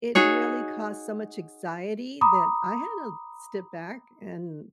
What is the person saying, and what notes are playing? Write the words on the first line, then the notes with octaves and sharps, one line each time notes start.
it really caused so much anxiety that I had to step back and
D#4 F#4 G#4 C#5
A#5 B5 D6 D#6